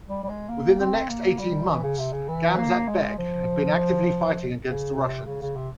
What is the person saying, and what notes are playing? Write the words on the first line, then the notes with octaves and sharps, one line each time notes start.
Within the next eighteen months, Gamzat-bek had been actively fighting against the Russians.
G3
G3
G#3
A#3
C4
A#3
G3
E3
C#3
C3
C#3
E3
A#3
G#3
F3
C#3
C3
C#3
C#3
C3